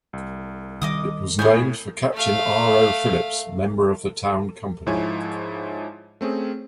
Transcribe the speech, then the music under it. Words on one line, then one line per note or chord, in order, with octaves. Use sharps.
It was named for Captain R. O. Phillips, member of the town company.
C2
D#3 G3 D#5 D6 D#6
A2 B3 G#4 G#5 G6
A3 F5
G#2 F3 E4 C#5 G#5
A3 C4 C#4 G#4